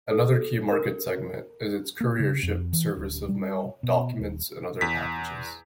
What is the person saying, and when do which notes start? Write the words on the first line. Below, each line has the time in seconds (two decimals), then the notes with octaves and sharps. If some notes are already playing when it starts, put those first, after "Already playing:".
Another key market segment is its couriership service of mail, documents and other packages.
0.11 A4
0.72 A#4
2.01 A#3
2.20 C#3
2.43 F2
2.73 E3
2.97 D1
3.29 G3
3.83 B2
4.19 D#1
4.81 E2 B6